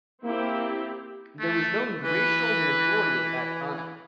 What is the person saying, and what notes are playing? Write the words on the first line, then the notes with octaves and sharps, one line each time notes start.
There was no racial majority at that time.
A#3 C4 E4 G4
A3
E3 B4